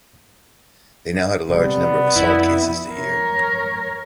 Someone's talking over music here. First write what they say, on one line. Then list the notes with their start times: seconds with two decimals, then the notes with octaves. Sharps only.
They now had a large number of assault cases to hear.
1.50 C3 G3 B3 D5
2.16 F2 E4
2.94 A#4 C#5